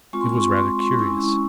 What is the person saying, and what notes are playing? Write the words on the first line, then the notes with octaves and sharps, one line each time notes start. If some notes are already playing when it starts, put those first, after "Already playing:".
It was rather curious.
G#3 C4 F4 C#6
C6
C#6
C6
G#3 C#4 E4 C#6